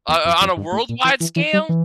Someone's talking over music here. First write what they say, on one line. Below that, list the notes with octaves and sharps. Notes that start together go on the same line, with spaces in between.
Wha o on a worldwide scale,
E2
F2
F2
G2
A2
A#2
E3
E3
E3
G3
E3